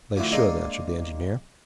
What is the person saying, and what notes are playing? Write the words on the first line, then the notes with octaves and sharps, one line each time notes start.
"They should," answered the engineer.
D2 E3 F3
G#3 A#3 D4 A4 D#5 F5